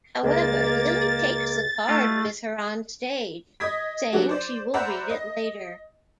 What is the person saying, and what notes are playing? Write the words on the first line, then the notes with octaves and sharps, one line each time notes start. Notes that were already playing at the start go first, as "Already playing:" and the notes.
However, Lilli takes the card with her onstage, saying she will read it later.
C#2 A#3 G#4 A6
A3 E4 F4 D#5
D#5 D#6 G#6 B6
F#3 G3 D4 F#4 G#4
C5 D5
C5 D5 E5 F#5 A#5 B5
D#5